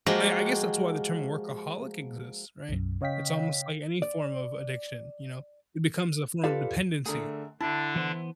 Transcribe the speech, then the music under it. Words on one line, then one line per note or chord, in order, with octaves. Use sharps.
I I guess that's why the term workaholic exists, right? It's almost like any form of addiction, you know? It becomes a form of dependency.
F3 G#3 A#3 F#4 G4
B1 F#2
C#3 C#5 D#5 F5 G5 B6
D5
F4 G4 A4 B4 D5 F5
D3 A3 G#4 A#4 E5
D3 D4 E4 A5
E3 B3 C5